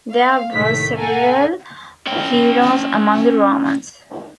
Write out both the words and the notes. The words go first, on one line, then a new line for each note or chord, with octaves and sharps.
There were several heroes among the Romans.
F5
C2 A2 D#3 A3 B6
A4 A#4 F5 F#5 G#5
C#4 G5